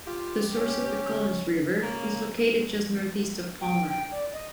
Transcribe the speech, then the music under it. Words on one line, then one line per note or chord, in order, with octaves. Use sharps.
The source of the Collins River is located just northeast of Palmer.
F4 G4
C#4
C#3 A#3
G5
G5
D5
D#5